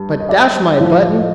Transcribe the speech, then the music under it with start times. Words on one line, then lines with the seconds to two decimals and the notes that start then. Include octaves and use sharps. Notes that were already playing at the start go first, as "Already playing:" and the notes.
But dash my buttons!
Already playing: G2
0.20 D#5
0.29 D5 E5
0.78 A2 F3
1.18 D#5